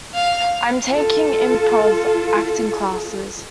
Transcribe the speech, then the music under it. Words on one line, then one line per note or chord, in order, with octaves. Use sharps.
I am taking improv acting classes.
F5
F4 A4